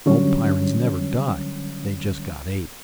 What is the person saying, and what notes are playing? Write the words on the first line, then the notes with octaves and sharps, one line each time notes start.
Old Pyrrans never died, they just got et.
D3 F#3 G3 C#4 C#5